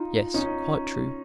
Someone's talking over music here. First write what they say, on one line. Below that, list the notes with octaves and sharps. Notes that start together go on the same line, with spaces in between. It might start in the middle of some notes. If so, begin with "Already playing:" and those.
"Yes, quite true."
Already playing: D#4 F4
C#4 D#4